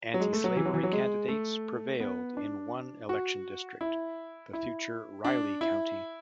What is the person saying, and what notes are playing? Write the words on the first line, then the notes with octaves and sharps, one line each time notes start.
Antislavery candidates prevailed in one election district, the future Riley County.
F#3
G#3
A3
F#3
E3
F#3
E3
F#3
G#3
A3
B3
D4
F#4
E4
E4
D4
E4